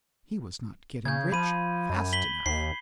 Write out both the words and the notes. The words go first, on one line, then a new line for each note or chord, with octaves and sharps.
He was not getting rich fast enough.
C#3 G6 G#6
F3 B5 D#7
F#2
B6 F#7 G7
D#2 C7